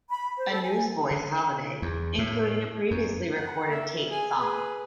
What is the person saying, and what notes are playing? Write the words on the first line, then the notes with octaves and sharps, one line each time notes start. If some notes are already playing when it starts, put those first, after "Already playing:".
A Newsboys Holiday, including a previously recorded Tait song.
B5
C5
A4
G#5
D3
E2
A2
F#2
F#5
A#3 E5
G#4 G#5
G#4 B4